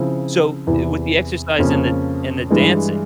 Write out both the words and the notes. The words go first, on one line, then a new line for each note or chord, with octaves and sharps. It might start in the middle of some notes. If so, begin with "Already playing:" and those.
So, i with the exercise and the and the dancing,
Already playing: C#3 F3 C4 E4
E2 C3 E3
F2 C#3 F3 A#3 C#4
G2 E3 G#3